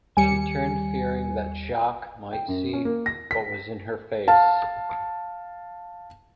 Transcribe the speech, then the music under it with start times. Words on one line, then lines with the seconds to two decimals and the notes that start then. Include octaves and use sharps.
She turned, fearing that Jacques might see what was in her face.
0.17 D#2 G3 G#5 C#7
2.33 G5
2.48 F#2
2.73 C#4
2.85 A#3
3.06 A#6
3.31 B6
4.28 F5 A5